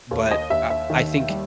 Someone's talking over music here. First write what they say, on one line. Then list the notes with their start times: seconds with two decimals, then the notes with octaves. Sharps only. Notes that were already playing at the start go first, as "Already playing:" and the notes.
but, I I think,
0.11 D#2
0.31 D#5
0.50 D#2 E5
0.70 E5
0.90 D#3
1.29 G3